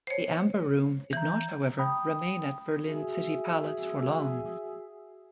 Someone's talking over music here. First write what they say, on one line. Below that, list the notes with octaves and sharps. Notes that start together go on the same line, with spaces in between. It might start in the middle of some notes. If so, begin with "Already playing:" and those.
The Amber Room did not, however, remain at Berlin City Palace for long.
C5 C#5
E3 A#5 G6
G5 B5 D#6
F#4 G#4 E5